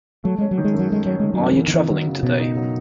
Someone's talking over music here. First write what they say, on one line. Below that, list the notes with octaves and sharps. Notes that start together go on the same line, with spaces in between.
Are you travelling today?
F#3 A3
G#3 C#4
F#3
D#3
G#3
F#2
F#3
G#3 A3
F#3 C#4
D#3 G#3
F#3
F#2
F#3
E3 B3
D#3
E3 D#4
D#3 F#3
C#3
B2 B3
D#4
F#3